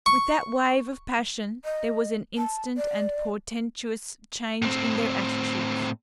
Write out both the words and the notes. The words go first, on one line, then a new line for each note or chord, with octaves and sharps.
With that wave of passion there was an instant and portentous change in their attitudes.
C#6
D#5
A5
D5
A2 C4